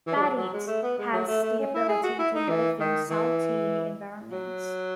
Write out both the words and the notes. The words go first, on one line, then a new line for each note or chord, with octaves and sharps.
"Batis" has the ability to live in salty environments.
E3
G#3
F#3
F#3
G#3
A3
B3
G#3
F#3
A3
A3
C#4
E4
G#4
F#4
E4
D#4
E3
D#3
E3
F#3